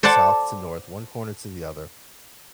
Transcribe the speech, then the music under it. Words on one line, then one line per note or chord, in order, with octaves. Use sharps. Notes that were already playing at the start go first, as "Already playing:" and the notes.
south to north, one corner to the other
A4 C5 D5 F#5 A5